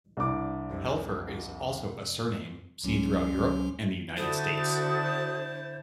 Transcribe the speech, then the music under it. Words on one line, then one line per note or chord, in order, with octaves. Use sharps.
"Helfer" is also a surname seen throughout Europe and the United States.
C2 D4 D6
F2 C3
C#2 F#3 C#4
D3 D4 E4 F#4 A4 C5 A5 D#6